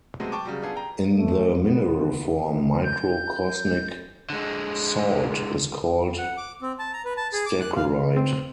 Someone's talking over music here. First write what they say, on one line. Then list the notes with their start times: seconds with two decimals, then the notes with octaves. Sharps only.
In the mineral form, microcosmic salt is called stercorite.
0.20 C3 F#3 G#3 A3 B3 C4
0.32 G5 A5 C#6 D6
0.45 C#3 F#3 G3
0.62 B3 D4 F4 G#4 A4
0.76 G5 A#5
1.14 A3
1.62 B3
2.83 G6
4.30 D3 G#3
6.18 F#5
6.37 D6
6.62 C4
6.79 A5
6.93 A#5
7.05 B4
7.17 A5
7.33 G#4
7.46 D6
7.60 F#6
7.76 F5
8.17 C4